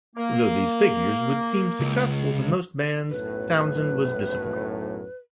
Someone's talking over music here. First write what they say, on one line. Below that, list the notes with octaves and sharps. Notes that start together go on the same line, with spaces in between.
Though these figures would seem successful to most bands, Townshend was disappointed.
A#3
C#2
B1 F#2 A2 B4